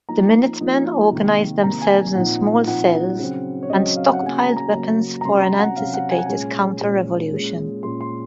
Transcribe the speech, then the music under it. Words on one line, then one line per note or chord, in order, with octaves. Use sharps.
The Minutemen organized themselves into small cells and stockpiled weapons for an anticipated counter-revolution.
F3 A#3 D#4 A#5
F3 A#3 D#4
C3 D#3 A#3
C3 D#3 A#3 A#5
G#5
G#5
A#2 F3 C4 D#4 F#5
A#2 F3 C4 D#4 F#5
C#3 F#3 C4
C#5
C#3 F#3 C4 D#5
F5
F#5
C#3 F#3 A#3 G#5
A#5
A#5
C#3 F#3 A#3
A#5
C3 F#3 C#4 C6
A#5
F#5
C3 F#3 C#4 F5
F#5
G#5
F#5
A#2 G#3 C#4 G#5
A#2 G#3 C#4
A#2 G#3 C#4
A#2 G#3 C#4 C6
C6